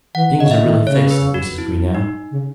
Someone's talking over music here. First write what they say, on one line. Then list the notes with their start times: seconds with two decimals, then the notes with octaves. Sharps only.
"Things are really fixed," said Mrs. Greenow.
0.14 E3 F#5
0.39 C#3 D#5
0.51 E5
0.63 D#3
0.87 C#3 C#5
1.11 B4
1.34 F#4
1.58 E4
1.95 D#4
2.30 C#3